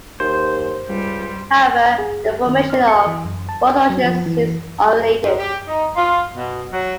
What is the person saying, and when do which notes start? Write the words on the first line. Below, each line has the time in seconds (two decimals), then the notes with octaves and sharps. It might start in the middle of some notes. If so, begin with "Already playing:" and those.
However, the formation of both oceans seems unrelated.
0.20 D#2 C5
0.88 C#2 G3
1.98 G#4
2.26 G4
2.47 D#3
2.70 F6
2.88 C#7
3.07 E3
3.25 F#2
3.49 A5
3.90 F#3
4.04 F3
4.26 E3
5.24 G#2
5.39 G4
5.67 D#4
5.96 F4
6.35 B2
6.72 F#3